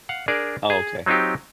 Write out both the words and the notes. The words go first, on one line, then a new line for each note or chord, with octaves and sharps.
Oh, okay.
F5 F#5
D4 G#4 A#4 D5
G#4
F#3 C4 D#4 F4 G4